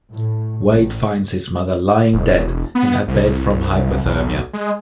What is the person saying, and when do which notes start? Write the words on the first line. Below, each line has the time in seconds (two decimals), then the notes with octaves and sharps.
Wade finds his mother lying dead in her bed from hypothermia.
0.13 A2
0.66 A1
2.13 E1
2.75 B3
3.08 C2
4.05 B1
4.53 G#3